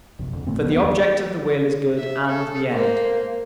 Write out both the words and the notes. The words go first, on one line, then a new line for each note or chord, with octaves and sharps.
For the object of the will is good and the end.
A#1 F#2 C3
F2 D3
A1 A#2 A3 C4
A1 D2 F3 B3
E2 G#2 A#3 B3
E5
A4
A#3 C5